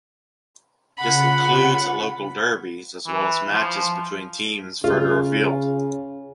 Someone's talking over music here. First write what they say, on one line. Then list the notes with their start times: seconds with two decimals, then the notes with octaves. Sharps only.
This includes local derbies as well as matches between teams further afield.
0.99 C#3 F4 F#5 B5
3.06 E3
3.53 F3
4.84 C#3 F4